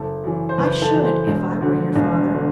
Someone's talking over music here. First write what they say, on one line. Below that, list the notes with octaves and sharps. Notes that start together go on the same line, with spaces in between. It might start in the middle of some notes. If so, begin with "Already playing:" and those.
"I should, if I were your father."
Already playing: F#1 A4
F#2 E3
C5
F#1 B4
A4
F#2 E3
C5
E1
D2 D3
E1
D3